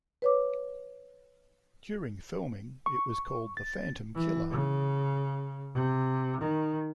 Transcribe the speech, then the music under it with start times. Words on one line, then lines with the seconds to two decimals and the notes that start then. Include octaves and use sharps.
During filming it was called "The Phantom Killer".
0.22 B4 C#5 D6
2.86 C#6
3.57 A6
4.15 E3
4.51 C#3
5.74 C3
6.41 D#3